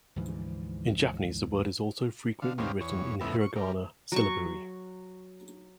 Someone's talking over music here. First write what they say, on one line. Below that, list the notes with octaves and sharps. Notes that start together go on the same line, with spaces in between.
In Japanese the word is also frequently written in hiragana syllabary.
D2 G#2 E3 F3
D3 F5
D#2 B2 G3 C4 C#4 F5
E2 C#5
F2 A2 C#3 B3 E4
C#6
G3 A#4
F#3 C#6